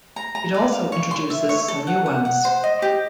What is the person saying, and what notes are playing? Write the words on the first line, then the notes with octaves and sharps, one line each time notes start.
It also introduces some new ones.
A#5
A#5
D5
F5
C#5
C6
E5
C#5
A4
F#5
F#5
F#5
C5
D#5
G4